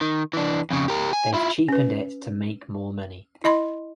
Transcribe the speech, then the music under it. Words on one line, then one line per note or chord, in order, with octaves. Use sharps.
They've cheapened it to make more money.
D#3
E3 D4
F2 C#3
G4 A#4
G#5
E4 F4
C#4 B4
E4 D#5 B5 C6